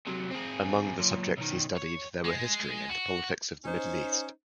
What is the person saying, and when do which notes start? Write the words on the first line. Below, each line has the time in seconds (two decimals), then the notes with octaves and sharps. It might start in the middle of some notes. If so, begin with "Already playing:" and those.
Among the subjects he studied there were history and politics of the Middle East.
0.07 C3 F#3
0.31 C4 G#4
1.00 F#2 A#2
1.37 B1 D#3
1.77 C#5
2.25 G#3
2.90 F#4
3.65 C#4 D#4 C5